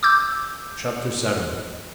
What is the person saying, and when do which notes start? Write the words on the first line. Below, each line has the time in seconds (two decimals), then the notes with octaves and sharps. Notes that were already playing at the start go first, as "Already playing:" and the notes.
Chapter VII.
0.03 D6 E6 G6